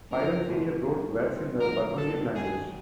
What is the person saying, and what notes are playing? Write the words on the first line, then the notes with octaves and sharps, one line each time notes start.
Piron senior wrote verse in the Burgundian language.
F#2 C#3 F3 A#4
E2 B2 G#3
C#2 B2 G3
A2 E3 G3 C4
F2 D3 F#3 B3 D#4 A#4
A#2 G3 C4 F4 A4
G#2 D#3 F#3 G#4